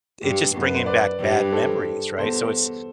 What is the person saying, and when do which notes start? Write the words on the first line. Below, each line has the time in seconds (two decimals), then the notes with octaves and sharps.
it's just bringing back bad memories, right? So it's
0.22 G2
0.54 F#2
0.61 B4
0.75 C5
0.86 B4 D5
1.19 G2
1.52 A4 C5
2.18 E2 A4 C5